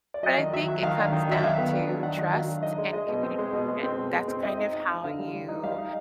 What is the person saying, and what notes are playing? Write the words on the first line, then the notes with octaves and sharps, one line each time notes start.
But I think it comes down to trust and communication, that's kind of how you
D5
F#3 D#5
D#3
F#3 E5
F#3
D#3 F5
D4
D#3
F#3 E5
D#3 F5
B3
D4
F#3
D#3 F#5
D#3
F#3 F5
D4
D#4 D#5
G#3
G#3 D#5
B2
C4
G#3
B2
G#3
C4
B2
G#3
C4
C4 D#5
D#4
D#4
D#4
D3 F5
G3
G3
D#4
G3 F5
D#4